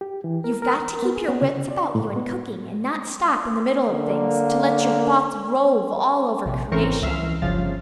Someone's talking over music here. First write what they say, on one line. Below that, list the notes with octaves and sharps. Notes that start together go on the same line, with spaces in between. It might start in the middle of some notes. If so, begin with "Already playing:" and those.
You've got to keep your wits about you in cooking and not stop in the middle of things to let your thoughts rove all over creation.
G4
E3
A#4
A#4
B3
G#4
B3
C#3
D5
A2
B3
D3 A#3
A#1 C3
G#1 E3 C4 C#4 A#4 C#6
C#2 E3 E5 F6 C7
G1 C#3 F3 F5 A6